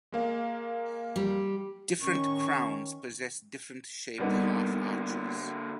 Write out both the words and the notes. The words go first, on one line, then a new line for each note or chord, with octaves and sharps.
Different crowns possess different shaped half arches.
G#3 A#3 F5
G3
D#3 C#4 C#6
D3 G3 A#3 B3 D#4